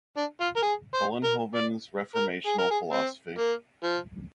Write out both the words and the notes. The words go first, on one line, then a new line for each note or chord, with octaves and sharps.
Vollenhoven's Reformational philosophy.
D4
F4
A#4
G#4
C5
A#4
D5
A#4
G#4
A#4
G#4
C4
A#3
F3